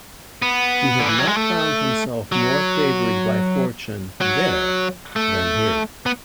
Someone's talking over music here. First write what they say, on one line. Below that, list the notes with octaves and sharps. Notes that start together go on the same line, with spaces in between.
He had not found himself more favoured by fortune there than here.
B3
D3
E3
F#3
G#3
A3
F#3
F#3
A3
B3